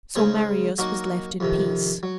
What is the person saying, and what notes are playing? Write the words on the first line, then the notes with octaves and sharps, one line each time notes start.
So Marius was left in peace.
C#3 G#3 D#4 G#4 C5
F#3 A#3 D#4 F#4 A#4
F2 C3 D#3
F#3